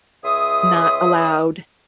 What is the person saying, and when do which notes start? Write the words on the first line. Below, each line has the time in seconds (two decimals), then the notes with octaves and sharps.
not allowed
0.24 C#2 G#4 C#5 E5 C6 D#6